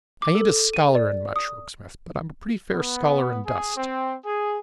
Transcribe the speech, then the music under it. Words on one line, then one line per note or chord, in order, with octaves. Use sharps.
I ain't a scholar in much, Rokesmith, but I'm a pretty fair scholar in dust.
D6
A4
D#7
D5
D#6
B3
G#4
C4
G#4